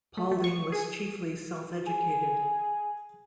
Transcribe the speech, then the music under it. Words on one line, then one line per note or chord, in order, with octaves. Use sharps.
Paulding was chiefly self-educated.
A3
A3
C#6
G#4
G#4